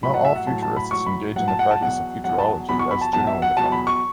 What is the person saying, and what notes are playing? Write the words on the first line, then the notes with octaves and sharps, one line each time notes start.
Not all futurists engage in the practice of futurology as generally defined.
A2 F#3 B5
F#5
E5
F#5
A2 F#3 A5
A5
B5
A2 F#3 C#6
B5
A2 F#3 F#5
A5
F#5
A5
E2 B2 F#3 F#5
E2 B2 F#3 F#5
A5
E2 B2 F#3 B5
C#6
B5
A5
E2 B2 F#3 A5
E5
F#5
E2 B2 F#3 A5
B5
C#6